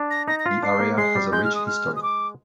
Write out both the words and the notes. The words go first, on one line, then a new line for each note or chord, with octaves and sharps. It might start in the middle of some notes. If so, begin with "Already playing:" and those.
The area has a rich history.
Already playing: D4
A#6
D#4 A#6
A#6
F4 C7
D4 C7
A#3
G#3 C7
G3
G#3 G6
F6
D#6
F6
D#6
D6